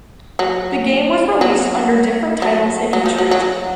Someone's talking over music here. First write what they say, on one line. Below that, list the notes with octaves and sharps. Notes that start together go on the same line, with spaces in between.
The game was released under different titles in each region.
F#3
F#3
F#3
F#3
F3
F#3
F#3